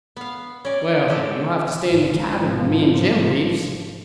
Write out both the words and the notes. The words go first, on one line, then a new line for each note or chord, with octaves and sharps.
"Well, then, you'll have to stay in the cabin when me and Jim leaves."
B3 F5
C#4 D5
D3 G4 A4
G#1 F3